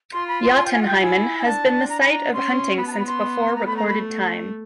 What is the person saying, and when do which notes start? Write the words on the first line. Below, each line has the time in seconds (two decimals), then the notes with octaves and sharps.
Jotunheimen has been the site of hunting since before recorded time.
0.13 F4 C6
0.28 B5
0.43 C6
0.57 C6
0.66 G5
0.72 G#5
0.82 F#5
0.87 G5
1.01 E4 G#5
1.39 G#5
1.45 D4 A5
1.90 A#5
2.01 B5
2.11 A#5
2.34 C#4 C6
2.77 B3 B5
2.87 A5
2.92 A#5
2.99 B5
3.07 C6
3.56 A#5
3.66 A3 B5
3.77 A#5
3.88 B5